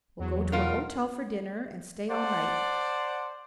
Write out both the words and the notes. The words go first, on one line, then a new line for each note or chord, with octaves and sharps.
We'll go to a hotel for dinner, and stay all night.
E2 F#3
B2 F4 A#4
C5 D5 F#5 A5